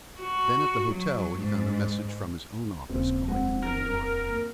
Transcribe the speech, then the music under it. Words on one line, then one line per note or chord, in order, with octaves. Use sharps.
Then at the hotel he found a message from his own office calling him to New York.
F#4
F#3
G#2
D#1 C#3 C4
G2 G#3 C4 F#5
F2 A#4
A#3 D#4